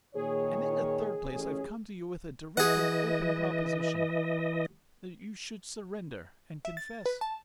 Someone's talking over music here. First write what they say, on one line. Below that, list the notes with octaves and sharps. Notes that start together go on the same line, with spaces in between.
And in the third place I've come to you with a direct and open proposition--that you should surrender and confess.
A#2 D#3 G#4 C#5
A1 C#4
E3 G#4 D#5 F#5
E5
A6
B4
A5